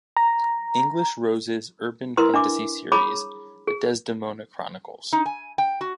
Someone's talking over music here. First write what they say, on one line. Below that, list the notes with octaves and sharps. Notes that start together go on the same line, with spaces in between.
English-Rose's urban fantasy series, The Desdemona Chronicles.
A#5
E4 A#4 B4 C6 D#6
D4 E5 D6
G#4 C#5 A#5 B5 D6 D#6
G#4
D#4
G#5
G5
F#4